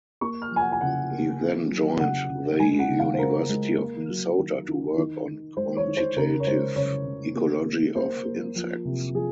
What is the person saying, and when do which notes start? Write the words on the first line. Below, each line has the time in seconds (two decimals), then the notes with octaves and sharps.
He then joined the University of Minnesota to work on quantitative ecology of insects.
0.21 A#3 C#6
0.42 F6
0.51 F3 G#5
0.61 F#5
0.72 G#5
0.81 C#3 F#5
1.11 A#3
1.41 A#3
1.70 F#3
1.99 C#3 F#5
2.29 C#3
2.59 G#3 G#5
2.79 F#5
2.90 C#3
2.99 F5
3.14 C5
3.19 C#3 A#4
3.49 G#3
3.79 A#3
4.09 F#3
4.38 D#3
4.68 D#3
4.97 D#3
5.27 D#3
5.57 G#3 C5
5.77 C#5
5.87 D#3
5.97 C5
6.16 C#3 A#4
6.40 C#5
6.46 G#3 C5
6.76 C#3 C#5
7.06 C#3
7.35 A#3
7.65 A#3
7.96 A#3 C5
8.25 A#3
8.55 F3
8.85 C3
9.14 F3 G#4